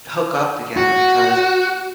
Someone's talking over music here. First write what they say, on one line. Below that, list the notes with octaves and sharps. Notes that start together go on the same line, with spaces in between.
hook up together because
F#4